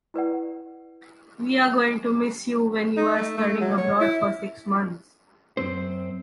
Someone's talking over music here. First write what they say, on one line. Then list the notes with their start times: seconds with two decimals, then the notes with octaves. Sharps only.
We are going to miss you when you are studying abroad for six months.
0.14 E4 B4 D5 F#5
2.97 D#4
3.17 A3
3.38 A3
3.61 F#3
3.78 C#5
4.00 E4
5.57 F#2 C4 C5